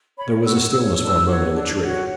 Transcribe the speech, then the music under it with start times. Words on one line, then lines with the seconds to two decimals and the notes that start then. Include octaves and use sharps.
There was stillness for a moment in the tree.
0.17 C#5 B5
0.45 F#4 E6
0.72 C#5 E6
1.00 D4 E6
1.26 F#4 C#5
1.54 D4
1.81 F#4 C#5